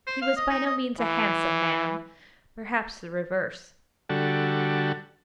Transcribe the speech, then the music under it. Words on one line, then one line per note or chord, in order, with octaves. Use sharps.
He was by no means a handsome man--perhaps the reverse.
C5
F5
D#5
D#4
D#5
E3
D3 G3 F#4 A4